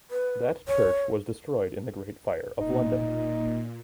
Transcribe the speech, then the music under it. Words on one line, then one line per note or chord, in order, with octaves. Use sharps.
That church was destroyed in the Great Fire of London.
B4
C#5
E1 A#2 D#4